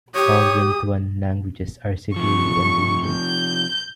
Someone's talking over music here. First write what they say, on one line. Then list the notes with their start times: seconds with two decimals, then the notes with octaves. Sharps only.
All Wintuan languages are severely endangered.
0.15 G4 C#5 D#6
2.16 C3 F3 C#6
3.06 G6